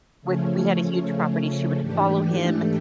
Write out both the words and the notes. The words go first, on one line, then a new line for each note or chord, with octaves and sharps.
would we had a huge property- she would follow him,
C#3 F3 A3 C#4
G#2 E3 A3 D4 G4